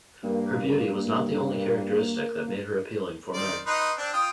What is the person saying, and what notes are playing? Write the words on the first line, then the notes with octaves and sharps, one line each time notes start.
Her beauty was not the only characteristic that made her appealing for men.
G2 A#3
D#3 C5 D5
D#4 B4 C6
C4 D4
F4 G5 D#6